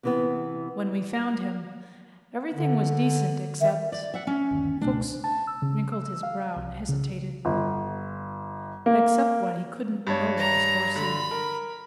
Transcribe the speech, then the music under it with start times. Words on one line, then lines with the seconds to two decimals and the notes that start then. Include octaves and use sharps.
When we found him, everything was decent except,"--Fuchs wrinkled his brow and hesitated,--"except what he could n't nowise foresee.
0.03 C3 E3 B3
2.54 D3
3.61 D#3 E5
3.92 D5
4.14 E5 F#5
4.27 C#4
4.51 G1 D#2
4.81 C#2 B2 A3 D4
5.24 A5
5.47 E6
5.62 C#3
5.92 E6
6.23 F5
6.56 C2
6.89 C#3
7.45 G1
8.86 A#3
10.07 G2 C#5
10.38 A#5
10.96 D3 B5
11.31 A#4